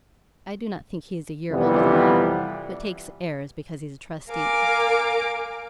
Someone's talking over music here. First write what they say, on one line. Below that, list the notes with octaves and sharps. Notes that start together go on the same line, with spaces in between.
I do not think he is a year older than I, but takes airs because he's a trustee.
F2 C3 E3 G3 B3
A#4 F5 G#5 D6